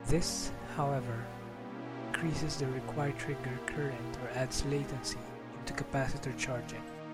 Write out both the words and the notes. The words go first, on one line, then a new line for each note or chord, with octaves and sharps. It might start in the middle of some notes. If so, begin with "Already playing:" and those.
This, however, increases the required trigger current or adds latency due to capacitor charging.
Already playing: A#2 G3 A#3 C#4
A#2 G3 B3
B2 A#3 C#4 E4 G4
A#2 A#3 E4 G4
B2 A#3 E4 G4
B2 G#3 D#4 G4
A#2 A#3 C#4
D#3 A#3 D#4